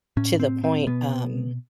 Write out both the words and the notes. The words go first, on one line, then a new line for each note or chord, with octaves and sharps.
to the point, um
A2 C#4
C4
C4
B2 B3